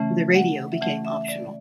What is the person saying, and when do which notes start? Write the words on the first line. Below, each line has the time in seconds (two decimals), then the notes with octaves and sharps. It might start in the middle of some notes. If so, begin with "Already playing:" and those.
The radio became optional.
Already playing: C#3 E3 A3 C#4
0.34 F#5
0.72 E5
0.81 C#3 E3 A3 C#4 F#5
1.05 E5
1.28 D5